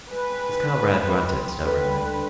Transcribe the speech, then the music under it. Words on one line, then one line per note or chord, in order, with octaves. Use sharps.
His comrade grunted stubbornly.
G#3 B4
C4
D#3
G#3
G#3
F4
C4
C4
D3 B4
G3
D3